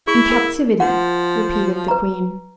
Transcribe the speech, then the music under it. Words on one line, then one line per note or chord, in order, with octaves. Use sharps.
"In captivity," repeated the queen.
E4 G#4
A#4 D#6
F3 F#5
B4 A#5